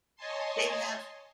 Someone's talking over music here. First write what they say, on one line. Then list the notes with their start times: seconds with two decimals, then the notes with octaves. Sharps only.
they have
0.16 C#5 D#5 G#5 A5 C6